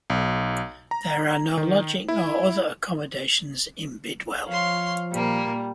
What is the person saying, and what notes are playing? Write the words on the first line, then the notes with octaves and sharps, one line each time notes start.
There are no lodging or other accommodations in Bidwell.
B1
A#5
D#3
E4
F3 C#5 F5 C6
A#2 G3 A#3